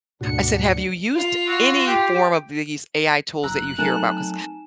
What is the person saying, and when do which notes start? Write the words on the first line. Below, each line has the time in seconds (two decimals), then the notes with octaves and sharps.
I said, "Have you used any form of th these AI tools that you hear about?, 'cause
0.21 D2 G#2 B2 D4 F#4 C#7
1.16 F4
1.48 F#4 E6
1.87 G4 G5
3.43 F#1 A#5 E6 F#6
3.78 F#3 A3 C4 D#4 A4 A#4 G#5 E7